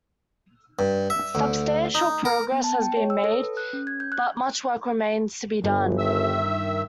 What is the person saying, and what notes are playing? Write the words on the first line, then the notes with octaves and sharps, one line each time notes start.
Substantial progress has been made, but much work remains to be done.
G2
E5
D2
D#4
A#4
B3
A5
G5
C#5
E6
A4
B4
F#6
C#4
G#6
G6
F#6
G1 G2
D#3 E5 E6